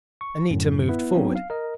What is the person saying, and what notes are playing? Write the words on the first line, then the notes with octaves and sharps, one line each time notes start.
Anita moved forward.
C#6
F#2 A2 D3
B3 E4 B4
F#3 B3 C4 D4 D#4
F5
A#4 D#5